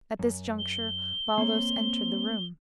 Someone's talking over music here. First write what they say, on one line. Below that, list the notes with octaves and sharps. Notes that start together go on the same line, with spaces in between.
At this juncture Baldos entered the room.
F#2
G7
A#3 C4 C#5